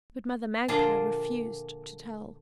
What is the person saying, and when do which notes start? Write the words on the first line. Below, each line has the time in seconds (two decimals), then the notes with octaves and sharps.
But Mother Magpie refused to tell.
0.68 A#2 D3 F3 D4 F4 G#4